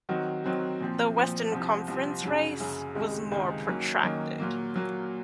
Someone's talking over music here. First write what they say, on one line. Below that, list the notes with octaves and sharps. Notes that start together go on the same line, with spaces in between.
The Western Conference race was more protracted.
D#3 F#3 C4 F#4
D#3 F#3 C4 F#4
A#2 F3 C4
A#2 F3 C4
C2 C3 F3 C4
C2 C3 F3 C4
F#2 C#3 F#3
F#2 C#3 F#3
C#2 C3 D#3 G#3
C#2 C3 D#3 G#3
D#3 F#3 A#3 C#4
D#3 F#3 A#3 C#4
A#2 F#3 A#3
A#2 F#3 A#3